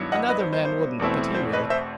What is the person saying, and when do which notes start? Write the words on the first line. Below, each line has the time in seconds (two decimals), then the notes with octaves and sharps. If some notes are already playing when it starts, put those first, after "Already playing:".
Another man wouldn't, but he will.
Already playing: G2 D#3 F#3 B3 E4
0.12 D#5 F#5
0.29 B4 D#5
0.40 C5
0.53 C5
0.65 C5
0.99 E2 B2 A3 C4 E4
1.35 C5
1.53 B4 D#5
1.70 C5 E5